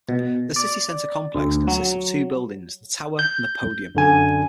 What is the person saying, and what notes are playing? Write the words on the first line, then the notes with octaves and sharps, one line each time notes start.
The Centre City complex consists of two buildings, the Tower and the Podium.
B2
D5
D2
F#3
G6
F#2 D3 G#5